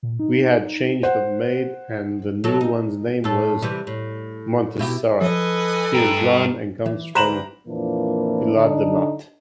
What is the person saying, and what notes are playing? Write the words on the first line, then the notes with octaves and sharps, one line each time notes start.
We had changed of maid and the new one’s name was Montserrat. She is blond and comes from Vilademat.
A#2
D#4
C5 F#5
F#3 A4
D#4
A2 A4
C3 E3 G3
A2
B2 E4 G4
F3 A4 B4 D#5 G#5
G2 G5 A#5
E3
D2 G3 B4 C5 G#5 A#5 E7 F#7
F2 A#2 E3 F3 A#3 D4
D3 D4 D#4